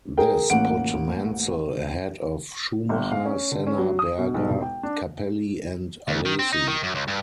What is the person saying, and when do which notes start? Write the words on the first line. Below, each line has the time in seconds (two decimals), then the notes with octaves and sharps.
This put Mansell ahead of Schumacher, Senna, Berger, Capelli and Alesi.
0.18 G#4 A#4 G5
0.50 A1 A#3 F#5 D7
2.89 G1
3.11 F5
3.25 C#4
3.52 D3
3.67 C#4
3.78 F#3
3.99 D#6
4.18 B2
4.34 B1
4.50 E1
4.62 G5
4.83 D4
6.08 D2
6.25 D#3
6.39 C4
6.53 D#4
6.68 D#3
6.83 F#2
6.95 C#2
7.08 G2